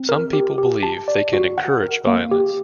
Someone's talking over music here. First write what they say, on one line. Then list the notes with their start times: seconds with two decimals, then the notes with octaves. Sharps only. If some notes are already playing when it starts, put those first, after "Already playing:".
Some people believe they can encourage violence.
Already playing: C4
0.09 A#4
0.33 G4
0.58 G4
0.83 A5
1.08 D5
1.33 F#4
1.58 F#5
1.83 A#4
2.07 A#3
2.31 G4